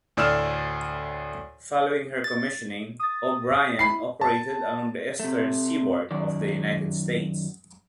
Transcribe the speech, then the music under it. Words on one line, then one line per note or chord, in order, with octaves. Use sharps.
Following her commissioning, "O'Brien" operated along the Eastern Seaboard of the United States.
D2 A2 D5 E6 F6 E7
A6
D#6 A6
E4 B5 C7
A5
C3 A3
F#2 D#3 D5